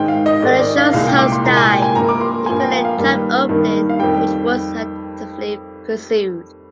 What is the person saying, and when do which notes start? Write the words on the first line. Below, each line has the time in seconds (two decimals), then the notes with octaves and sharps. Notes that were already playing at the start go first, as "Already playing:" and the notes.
When the show's host died, it created a job opening, which Boortz actively pursued.
Already playing: G#2 D#3 G#3 G5
0.08 F5
0.26 D#5
0.42 G#2 D#3 G#3 D5
0.60 D5
0.77 F5
0.93 C2 A#2 G#3 F5
1.07 G5
1.19 D6
1.32 C6
1.44 C2 A#2 G#3 A#5
1.57 G#5
1.70 G5
1.82 G#5
1.95 G2 F3 A#3 A#5
2.09 D6
2.21 C6
2.46 G2 F3 A#3 G#5
2.60 G5
2.71 F5
2.85 F5
2.97 G2 D#3 G3 A#3
3.49 G2 D#3 G3 A#3
3.89 F5
3.99 F2 D#3 G3 G5